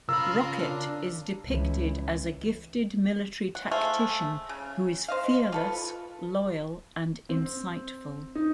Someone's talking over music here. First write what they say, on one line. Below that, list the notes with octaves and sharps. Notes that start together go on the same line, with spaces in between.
Rocket is depicted as a gifted military tactician who is fearless, loyal, and insightful.
C#3 F4 A#4 B5 E6
D4
C#2 E3
F#5
A3 G#4 C5 F5
C#3
C5 D#5 F5
F4 A4 B4
C4
D#4